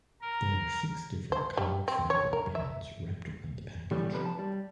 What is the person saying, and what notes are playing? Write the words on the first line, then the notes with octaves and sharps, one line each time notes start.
There are six different colored fabric bands wrapped around the package.
A#4
C5
G3
C4
C#5
A#4
E5
A2 E3 G3 A3
C3 F3 B4
A5
G3